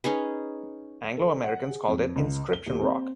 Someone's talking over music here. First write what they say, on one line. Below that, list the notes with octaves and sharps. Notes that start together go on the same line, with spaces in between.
Anglo-Americans called it Inscription Rock.
C#4 D#4 G#4 B4
A4
F#5
G#4
F2
C#2
G7
D#1
C4